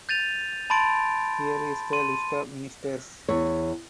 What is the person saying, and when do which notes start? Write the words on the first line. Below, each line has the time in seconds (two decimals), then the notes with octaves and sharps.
Here is the list of ministers.
0.09 G6 A6 D#7 F7
0.70 A5 B5 C6 A6 D7
1.93 C6 D#7
3.29 E2 C#5